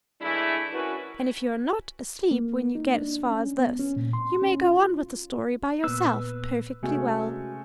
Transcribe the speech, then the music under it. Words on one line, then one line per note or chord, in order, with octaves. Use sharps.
And if you are not asleep when you get as far as this, you may go on with the story by yourself, perfectly well.
E3 G#3 A3 D4 E4
C#4 E4 F#4 A#4 B4
A#3
D#4
D4
C#4
B3
C#4
A#2
C6
C#4
F4
A#2 B3 B4 E6
C3 G#3 A3 C#4 F#4